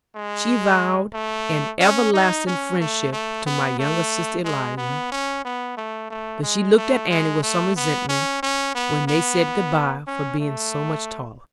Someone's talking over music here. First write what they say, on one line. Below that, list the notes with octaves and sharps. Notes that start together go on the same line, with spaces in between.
She vowed an everlasting friendship to my younger sister Eliza; but she looked at Annie with some resentment, when they said good-bye, for being so much taller.
G#3
A3
C#4
D#4
C#4
A3
A3
B3
A3
G#3
B3
C#4
B3
A3
A3
G#3
A3
G#3
A3
B3
C#4
C#4
B3
B3
C#4
A3